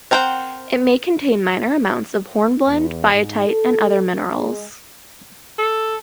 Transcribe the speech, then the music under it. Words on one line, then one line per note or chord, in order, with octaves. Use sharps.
It may contain minor amounts of hornblende, biotite and other minerals.
C4 A#4 C5 F#5 G5
E2
G#2
A4
G#3
A4